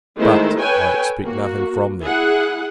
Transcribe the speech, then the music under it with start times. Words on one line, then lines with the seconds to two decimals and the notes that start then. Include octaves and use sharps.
But, I expect nothing from them.
0.19 D#3 G#3 A3 E4 C5
0.59 A4 B4 C#5 G5 G#5
1.25 A#3 F#4
2.02 E4 G#4 F#5